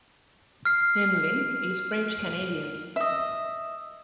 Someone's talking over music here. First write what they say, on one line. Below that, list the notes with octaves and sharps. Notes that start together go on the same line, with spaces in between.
Hamelin is French Canadian.
F6 C7
D#5 E5